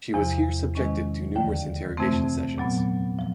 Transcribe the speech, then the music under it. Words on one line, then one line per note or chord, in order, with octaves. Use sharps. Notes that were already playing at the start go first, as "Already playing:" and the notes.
She was here subjected to numerous interrogation sessions.
E2 C3 F3
C3 D#3 G#3 C#4
D#2 D3 F3
F2 C3 E3 A3 C4
A#2 F#3 B3
F3